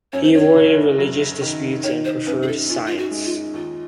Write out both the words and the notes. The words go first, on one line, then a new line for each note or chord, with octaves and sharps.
He avoided religious disputes and preferred science.
F#2 C#5
C5
C#5
F#1
F#3
D#3
D#3 C#5
C5
F#2 B4
G#4
A4
C#4 F4
F4
F#4
G#3
F4
D#2 F4